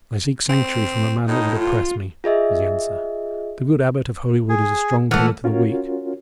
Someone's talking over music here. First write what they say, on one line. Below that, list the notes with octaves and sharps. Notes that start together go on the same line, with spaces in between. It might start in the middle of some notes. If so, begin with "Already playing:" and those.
"I seek sanctuary from a man that would oppress me," was the answer. "The good Abbot of Holywood is a strong pillar to the weak."
C4
A2 D#4
F4
F4 G#4 D#5 E5
G#4
E3 A3 F#5 F6
C#4 F4 F#4 A#4 C#5